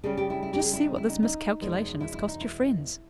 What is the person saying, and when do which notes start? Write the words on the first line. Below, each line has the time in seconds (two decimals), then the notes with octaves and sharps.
Just see what this miscalculation has cost your friends!'
0.04 C#3 G3 C#4 G#4
0.17 G4
0.30 E4
0.43 E4
0.53 G4
0.62 G#4
0.73 E4
0.83 D#4
0.96 E4
1.08 D#4
1.23 D#4
1.61 E2 B2 G#3
2.01 E4
2.14 E4
2.28 D#4
2.41 E4